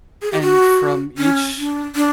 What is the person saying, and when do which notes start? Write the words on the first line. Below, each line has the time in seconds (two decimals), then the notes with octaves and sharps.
and from each
0.22 G#4
0.32 G4
0.42 F#4
1.18 C#4
1.58 D4
1.96 D4